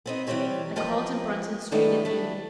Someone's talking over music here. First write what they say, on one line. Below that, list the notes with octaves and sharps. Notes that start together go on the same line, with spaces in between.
I called in Bruton Street at noon.
B3 C4 D#4
E3 F#3 G3 C4 G4 C#5
F3 A#3 D#4 G4 A#4 B4
D#3 F#3 G3 A3 B3 D4
A3 D4 E4